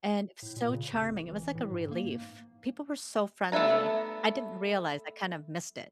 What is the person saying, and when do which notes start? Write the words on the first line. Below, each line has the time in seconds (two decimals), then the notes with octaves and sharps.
and so charming, it was like a relief. People were so friendly. I didn't realize I kind of missed it.
0.42 A2
0.56 A#2
0.73 C#3
0.93 F2
1.07 G1
1.28 E3
1.55 A2
1.72 G#2
1.91 A#3
3.52 A3 B3 E5 G#5 A#5